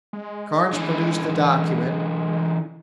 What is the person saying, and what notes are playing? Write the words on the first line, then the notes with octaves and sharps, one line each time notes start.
Carnes produced the document.
G#3
D3 E3